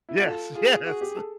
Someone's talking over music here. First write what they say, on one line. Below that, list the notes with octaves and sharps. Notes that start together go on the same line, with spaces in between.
Yes, yes!
E4
F#4
F4 A4
F4 G#4
F#4 G#4
G4
A4